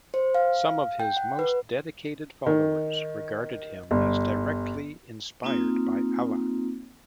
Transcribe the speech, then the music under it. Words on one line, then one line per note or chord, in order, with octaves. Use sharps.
Some of his most dedicated followers regarded him as directly inspired by Allah.
C5
F5
G5
F#5
B4
D#3
G1
A#3 C4 D#4 F4